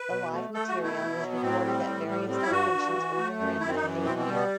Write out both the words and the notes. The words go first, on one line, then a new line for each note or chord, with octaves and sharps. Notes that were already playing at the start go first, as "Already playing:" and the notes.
The live material was recorded at various locations earlier in that same year.
Already playing: B4
B2
A3
A3 A4
F#4
B2
E4
B2
F#3
B3
A2 C4
G3
A2
G3
G3 C4
E4
G2 F#4
G2
E3
A3
F#2
F#2 E4
C4
D#4
E3
B2 C4
C4
G3
B3